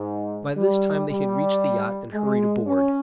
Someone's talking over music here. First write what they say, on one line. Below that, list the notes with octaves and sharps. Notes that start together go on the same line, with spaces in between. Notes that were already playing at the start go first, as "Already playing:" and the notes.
By this time they had reached the yacht and hurried aboard.
Already playing: G#2
G3
G3
G#3
C#4